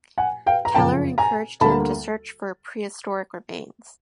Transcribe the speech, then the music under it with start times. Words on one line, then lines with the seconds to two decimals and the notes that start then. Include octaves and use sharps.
Keller encouraged him to search for prehistoric remains.
0.18 F#5 G#5
0.46 F5 G5
0.65 A#5
0.74 F#1 F2 C#3 F3 G5 A5
1.18 G#5 A#5
1.61 D2 D3 G3 A#3 A5 B5